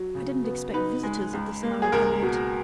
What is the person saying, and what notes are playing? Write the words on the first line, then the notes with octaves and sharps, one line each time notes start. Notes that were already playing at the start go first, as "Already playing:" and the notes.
"I didn't expect visitors at this hour of the night."
Already playing: F#3
C#3
B3
D#4 B4
G#3
C#2
A#3
G#4
C#2 A#4
B2